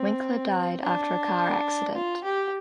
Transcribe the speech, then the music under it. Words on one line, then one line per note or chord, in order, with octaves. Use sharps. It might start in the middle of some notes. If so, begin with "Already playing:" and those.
Winkler died after a car accident.
Already playing: C4
D4
F4
G4